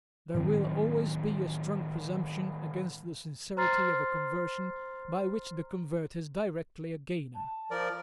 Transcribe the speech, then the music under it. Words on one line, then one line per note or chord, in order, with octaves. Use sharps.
There will always be a strong presumption against the sincerity of a conversion by which the convert is directly a gainer.
A2 D#3 F#3 C4
C5 A#5 C6 F6 A6 C7
A5
F3 A#4 D5